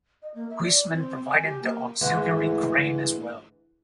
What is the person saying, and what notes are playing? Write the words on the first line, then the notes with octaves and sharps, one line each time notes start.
Huisman provided the auxiliary crane as well.
D#5
A#3
E5
D5
C4
G#5
G4
A#3
D2 G#2 E3